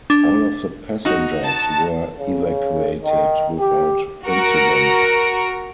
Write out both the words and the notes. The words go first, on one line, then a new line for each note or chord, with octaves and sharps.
All of the passengers were evacuated without incident.
D4
D#4 F#4
A5
C#3
D#3
G4
F#4 A#4 A#5 C#7 D7